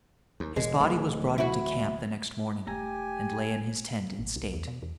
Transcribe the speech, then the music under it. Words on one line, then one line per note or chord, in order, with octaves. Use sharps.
His body was brought into camp the next morning and lay in his tent in state.
D#2
E1 G#3
D1 E3
E4 F#4
E1 A3 G4 G#5 A#5
G#1
C2
E2
B2
E2